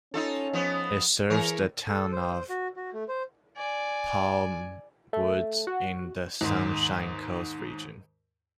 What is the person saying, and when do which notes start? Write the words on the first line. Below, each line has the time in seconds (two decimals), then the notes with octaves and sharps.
It serves the town of Palmwoods in the Sunshine Coast Region.
0.14 C#4 D#4 F4 A4
0.53 F3 B3
1.30 E3 G#4 A#4 C#5
1.88 A4
2.12 C5
2.49 F#4
2.76 F#4
2.93 A3
3.08 C5
3.56 D5 G#5
5.13 A3
5.67 F#4
6.41 D#2 G#2